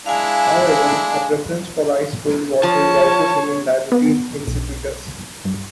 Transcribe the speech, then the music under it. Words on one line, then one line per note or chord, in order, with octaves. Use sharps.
However, a preference for ice-cold water is also seen in diabetes insipidus.
G#3 D4 E4 F5 G#5
F3 C#5 A5
B3
B1
G2